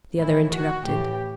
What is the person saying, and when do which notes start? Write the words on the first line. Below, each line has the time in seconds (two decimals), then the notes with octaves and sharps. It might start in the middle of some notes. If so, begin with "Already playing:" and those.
The other interrupted.
0.20 A2 E3 E4
0.53 F#4
0.86 A2 E3 G4